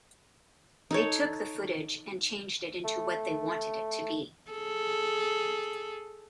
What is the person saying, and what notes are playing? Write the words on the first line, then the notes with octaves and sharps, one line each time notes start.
They took the footage and changed it into what they wanted it to be.
D#4 A4 C#5
A3
G#4 A4